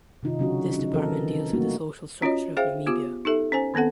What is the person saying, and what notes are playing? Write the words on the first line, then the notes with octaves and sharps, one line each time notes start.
This department deals with the social structure of Namibia.
C3 D#3 D#4 F4
C#3 F#3 C#4 D4 F#4
C#4 D#4
E3 C4 A4 A#4
E3 G3 A3 A#3 D#4 F#4
C#4 F4 F#4 C#5 D#5
G#4 C5 E5 F5 G5
B3 F4 G4 D6
D#4 G4 A4 E5
C#4 C5 G#5
D#3 B3 C4 A4 F#5